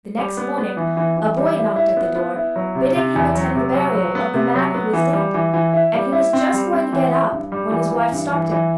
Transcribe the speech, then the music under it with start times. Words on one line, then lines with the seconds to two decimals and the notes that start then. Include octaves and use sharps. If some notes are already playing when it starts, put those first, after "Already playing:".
The next morning a boy knocked at the door, bidding him attend the burial of the man who was dead, and he was just going to get up when his wife stopped him.
0.18 G3
0.37 B3
0.58 B3
0.77 E3
0.97 E3
1.17 E3
1.37 G3
1.56 E4
1.76 E4
1.97 B3
2.16 B3
2.36 E4
2.56 F#3
2.75 C3
2.95 C3
3.16 E2
3.35 F#3
3.54 C3
3.74 F#3
3.95 F#3
4.15 B3
4.34 C3
4.55 F#3
4.74 B3
4.93 E3
5.13 G3
5.34 E3
5.54 E3
5.74 E4
5.94 G3
6.12 E4
6.33 C4
6.53 G3
6.73 C4
6.93 E3
7.12 E4
7.32 G2
7.52 G3
7.71 E3
7.91 E3
8.12 G2
8.31 E3
8.52 E3